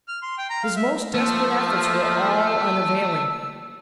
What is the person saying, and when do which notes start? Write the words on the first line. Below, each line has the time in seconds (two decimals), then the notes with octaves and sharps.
His most desperate efforts were all unavailing.
0.08 F6
0.23 C6
0.38 G5
0.50 A#5
0.63 F5
0.76 E5
1.14 F3 A3 A#3 E6